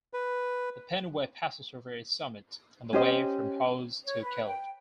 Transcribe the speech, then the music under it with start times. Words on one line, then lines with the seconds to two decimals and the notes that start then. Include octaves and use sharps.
The Pennine Way passes over its summit, on the way from Hawes to Keld.
0.14 B4
2.93 C#4 G4 C5 D#5
4.05 C#5
4.22 B4
4.45 G5